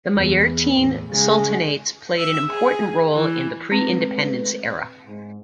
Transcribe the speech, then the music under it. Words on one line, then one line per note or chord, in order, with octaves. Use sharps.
The Majeerteen Sultanates played an important role in the pre-independence era.
E2
E2 A2
C#3 G#3
E5
G#4
E3
G#3 A3 C4 B4
G#2